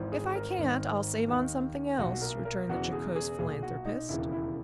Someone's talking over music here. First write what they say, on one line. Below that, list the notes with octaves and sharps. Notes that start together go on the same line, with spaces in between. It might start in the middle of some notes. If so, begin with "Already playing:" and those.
"If I can't, I'll save on something else," returned the jocose philanthropist.
Already playing: G#1 G#2 E3
G#4
A#4
G#1 G#2 D#3
D#2 D#3
B1 A#2 F#4
A#4
A#4
E1 E2 C#3 E3 F#4
G#4
G#4
B1 A#2 G#4
F#4
D#4
E1 D#2 C#3 E3 E4
E4